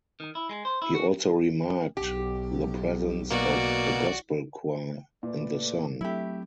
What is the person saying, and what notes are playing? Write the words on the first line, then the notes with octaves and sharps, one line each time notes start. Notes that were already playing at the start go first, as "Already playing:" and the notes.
He also remarked the presence of "a gospel choir" in the song.
D#3
E4
G#3
C5
E4
F#4
B1 G4
B2 A#3 F#4 D5
A#2 A3 B4 D5
F#3 A3 C4 E4 G4 E5